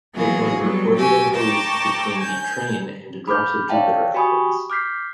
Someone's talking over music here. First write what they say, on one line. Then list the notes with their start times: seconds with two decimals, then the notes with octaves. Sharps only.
It was recorded and released between the "Train" and "Drops of Jupiter" albums.
0.13 E3 F#3 A#3 B3 F#4 G#4
0.57 F#3 G3 B3
0.95 F#4 G4 G#5 D6 E6
1.34 G5 A5 A#5 C#6 D6
2.18 G#5 G6
3.28 B5 D6 F6 G6
3.69 C#5 D5 E5 F5 G5 A5
4.14 F#4 G4 G#5 B5 C#6 D#6
4.70 D6 F6 G6 B6 C7